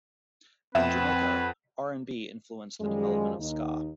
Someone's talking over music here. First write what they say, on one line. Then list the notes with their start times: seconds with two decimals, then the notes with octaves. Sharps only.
In Jamaica, R and B influenced the development of ska.
0.75 F2 C4 B4 E5 F#5 D6 E7
2.80 F#2 D#3 F3 G3 G#3
3.39 D#2 D#4